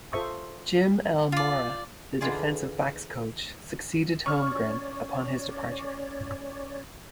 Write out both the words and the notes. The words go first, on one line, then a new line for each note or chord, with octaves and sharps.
Jim L. Mora, the defensive backs coach, succeeded Holmgren upon his departure.
F4 A4 C5 E5 C#6 D#6
F4 D5
D3 E3 D4 F4 G#4 D5
C#4 C#5 D5 C#6 F6